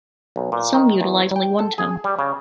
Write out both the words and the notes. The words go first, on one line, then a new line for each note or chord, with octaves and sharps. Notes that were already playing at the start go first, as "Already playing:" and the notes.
Some utilize only one tone.
B1
A#2
D#3
E2
G5
A4
G#4
G3
C#3